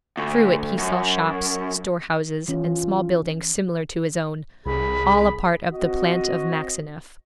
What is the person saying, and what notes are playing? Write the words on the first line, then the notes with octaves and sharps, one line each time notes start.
Through it he saw shops, store-houses, and small buildings similar to his own, all a part of the plant of Maxineff.
D2
F#2
E3 C#4 F4
C2 G#4 B5
C4 F#4 D#5